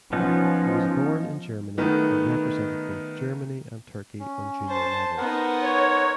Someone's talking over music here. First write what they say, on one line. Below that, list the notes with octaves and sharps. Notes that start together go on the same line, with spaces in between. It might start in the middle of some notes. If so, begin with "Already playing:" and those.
He was born in Germany and represented both Germany and Turkey on junior levels.
F3 B3 C#4 D#4
D#3 A3 B3 D#4
C#4
C5 A5
B3 D#4 A#4 C5 F#5
C#5